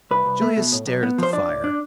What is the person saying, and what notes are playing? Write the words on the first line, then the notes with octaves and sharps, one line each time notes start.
Julius stared at the fire.
C2 B4
C2
A3
B2
A2
B1
B3
F3 C5
D4 D5
A2
D4